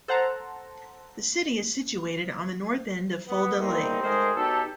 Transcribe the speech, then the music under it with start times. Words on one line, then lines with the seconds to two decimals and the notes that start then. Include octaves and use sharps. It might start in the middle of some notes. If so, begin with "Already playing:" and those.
The city is situated on the north end of Fulda Lake.
0.08 A4 C5 F#5 A5 A#5
3.28 B3
3.58 E2 G3 A#3 C4 D#4
4.02 D#3 G#3 A3 G#4 A#4 C5
4.35 F#3 B3 D#4 G4 A4